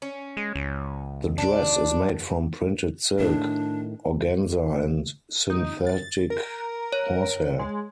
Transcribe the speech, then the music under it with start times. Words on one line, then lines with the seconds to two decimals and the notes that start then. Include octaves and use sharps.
The dress is made from printed silk organza and synthetic horsehair.
0.02 C#4
0.37 G#3
0.55 C#2
1.38 D4
3.20 A2 D#3 D4
5.50 D#4
5.86 A6
6.30 A#4
6.93 C#5
7.59 G#3